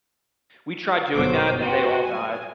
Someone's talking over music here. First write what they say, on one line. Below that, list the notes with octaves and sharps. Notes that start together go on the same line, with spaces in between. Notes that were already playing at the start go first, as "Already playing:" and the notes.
We tried doing that and they all died.
G1 F#2 B2 F#3 C5 D6
F#4 B4 C5 G5
G#5